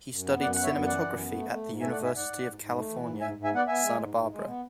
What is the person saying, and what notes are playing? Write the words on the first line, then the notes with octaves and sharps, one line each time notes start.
He studied cinematography at the University of California, Santa Barbara.
F#2
B3
F#2 D5 F#5
B3 F#5
C#5 E5
F#2
E3 D5 F#5
F#2
B3
A3
A3
G#2
A3 E5 G#5
D5 F#5
G#2
E5 G#5
G#2 D5 F#5
G#2
G#2
G#2
A3
E3
G#2
G#2 E5 G#5
G#2
E5 G#5
B3 D5 F#5
B3 E5 G#5
G#3
G#2
G#2
G#3
B3